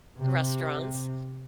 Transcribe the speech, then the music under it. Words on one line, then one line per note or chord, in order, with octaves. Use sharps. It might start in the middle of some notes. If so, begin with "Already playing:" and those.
The restaurants.
C3